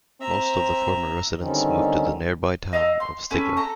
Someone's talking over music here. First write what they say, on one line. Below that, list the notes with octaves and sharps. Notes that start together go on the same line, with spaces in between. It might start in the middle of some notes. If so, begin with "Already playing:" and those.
Most of the former residents moved to the nearby town of Stigler.
C4 E5 A#5
D3 D#3 G3 C4 C#4 D#4
D#5 F5 A#5 E6
C6
C#4 A4 B4
A4 A#5